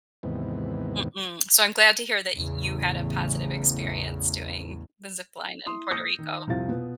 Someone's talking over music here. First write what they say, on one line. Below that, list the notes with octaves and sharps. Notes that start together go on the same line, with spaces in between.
Mm-mm. So, I'm glad to hear that you had a positive experience doing the zip line in Puerto Rico.
D#2 G#2 C3 E3 B3
A1 E2 A2 C#3
E4 C6 D#6
D#6 E6 G6 A#6 C7 C#7
D#3
C2 F2 C3 E4 F5 A6
B2 B3 F4